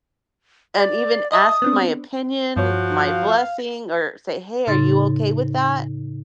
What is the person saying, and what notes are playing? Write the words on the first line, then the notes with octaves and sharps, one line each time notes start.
and even ask my opinion, my blessing, or say, "Hey, are you okay with that?"
D5
D#5 E5 A5 D#6
B3 C4 D4
G2 F3 F#4 C#5
F5
A2 C#3 D#4 C6 A6